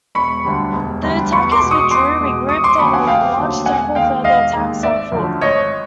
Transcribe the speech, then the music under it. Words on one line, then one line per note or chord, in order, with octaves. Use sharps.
The attackers withdrew, regrouped, and launched several further attacks on foot.
E1 B5 C#6
D2 D3 G3
E1
D2 D3 G3
E2 B5 C#6
C6 D6
B2 G#3
C#6 D#6
E2 C6 D6
B2 G#3
F1 C#6 D#6
C6 D6
D#2 D3 F#3 A3 B5 C#6
F#5 G#5
F1 F5 G5
D#2 D3 F#3 A3
E1 F#5 G#5
D#2 D#3 G#3 F5 G5
E1 D#5 F5
D#2 D#3 G#3
G#1 D5 E5
F#2 D3 F3 A3
G#1 C#5 D#5